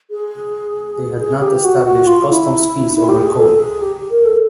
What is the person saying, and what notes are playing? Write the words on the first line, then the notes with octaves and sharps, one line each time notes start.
They had not established customs fees over coal.
G#4
G#4
G4
F#4
F#4
F4
E4
E4
G4
G#4
A4
G#4
G4
A#4
A4